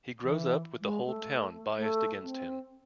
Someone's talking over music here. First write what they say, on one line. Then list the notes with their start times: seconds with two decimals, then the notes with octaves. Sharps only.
He grows up with the whole town biased against him.
0.23 E3
0.81 G#3
1.06 A3
1.78 A3
2.24 C4